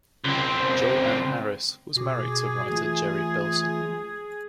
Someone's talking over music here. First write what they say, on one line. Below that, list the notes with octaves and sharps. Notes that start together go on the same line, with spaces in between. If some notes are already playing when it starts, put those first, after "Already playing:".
Jo Ann Harris was married to writer Jerry Belson.
C#2 C4
B2 F#4 G#4 D6
E3 A3 F4